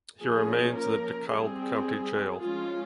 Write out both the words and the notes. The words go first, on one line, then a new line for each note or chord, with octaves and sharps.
He remains in the DeKalb County jail.
F3 A#3 C#4 G#4
A#4
G3 C4 G#4
F3 G#3 C#4 F4